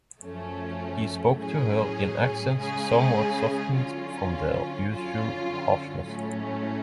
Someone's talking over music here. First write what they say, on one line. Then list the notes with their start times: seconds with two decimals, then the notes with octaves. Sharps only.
He spoke to her in accents somewhat softened from their usual harshness.
0.20 F#2 F3 A3 C#4
1.37 A2 F#3 C#4 G#4
2.54 C#3 G#3 C#4 G#4
3.71 D3 F#3 C#4 F4
4.89 F#2 D3 F#3 C#4 F4
6.06 A2 F#3 A3 C#4